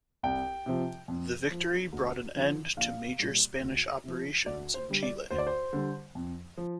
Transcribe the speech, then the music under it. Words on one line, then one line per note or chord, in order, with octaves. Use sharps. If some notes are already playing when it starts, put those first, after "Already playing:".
The victory bought an end to major Spanish operations in Chile.
C2 G5
C3 F3
F2
F3
D2
D3 F3
A#1 F5
A#2 G3
D2
C3 F3
D2 D5
C5
D3 G3
D5
D2 C5
D5
C5
D3 G3
F2
F3